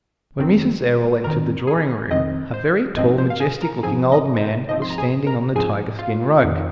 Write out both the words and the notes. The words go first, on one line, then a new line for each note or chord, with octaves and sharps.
When Mrs. Errol entered the drawing-room, a very tall, majestic-looking old man was standing on the tiger-skin rug.
F2 D#3 C4
F2 D#3 C4 A#4 A#5
G#4 G#5
F2 D#3 C4 D#5
C5
G#2 F3 C4 D#5
C5
F5
G#4 G#5
A#4 A#5
G#2 F3 C4 G#4 G#5
D#5
C5
G#2 F3 C4 D#5
C6
A#5
G#4 G#5
A#4 A#5
G#2 F3 C4 G#4 G#5
F4 F5
F2 D#3 C4